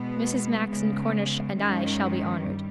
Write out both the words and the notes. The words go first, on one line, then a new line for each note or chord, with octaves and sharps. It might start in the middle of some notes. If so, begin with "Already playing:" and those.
Mrs. Max and Cornish and I shall be honored.'
Already playing: B2 G#3 B3
C#3 G#3 B3
G2 D#3 G#3 C#4
G2 G3